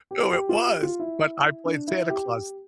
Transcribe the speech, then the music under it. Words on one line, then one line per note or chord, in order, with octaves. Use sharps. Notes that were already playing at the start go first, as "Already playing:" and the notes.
Oh, it was, but I played Santa Claus
G4
G4
F4
G4
F4
E4
D4
E4
G4
G4